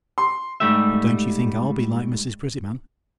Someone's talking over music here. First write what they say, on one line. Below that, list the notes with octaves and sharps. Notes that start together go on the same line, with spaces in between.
But don't you think I'll be like Mrs. Prettyman.
C6
G#2 G3 A3 G4 E5